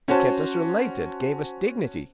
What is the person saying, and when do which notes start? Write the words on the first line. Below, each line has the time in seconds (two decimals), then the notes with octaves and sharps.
It kept us related--gave us dignity....
0.08 C#4 F#4 C5 C#5 A5